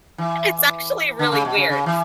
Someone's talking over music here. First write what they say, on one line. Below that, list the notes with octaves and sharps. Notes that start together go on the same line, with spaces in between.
It's actually really weird.
E3
D3
C#3
B2
C#3
C#3
E3